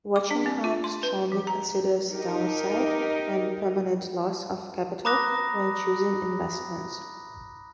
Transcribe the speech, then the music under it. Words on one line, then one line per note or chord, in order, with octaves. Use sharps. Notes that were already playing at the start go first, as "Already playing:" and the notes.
Wachenheim strongly considers downside and permanent loss of capital when choosing investments.
D6
D4
C4
F4
C6
B4
F3
A#5
D#4 G4 A#4
A#5 B5 D6 D#6 F#6 A#6